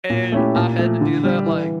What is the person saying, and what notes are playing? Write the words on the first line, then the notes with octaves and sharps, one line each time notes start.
and I had to do that, like,
A#2
A3 C#4 E4 G4
A#2
F3 A3
D3
G3 D4 G4
E3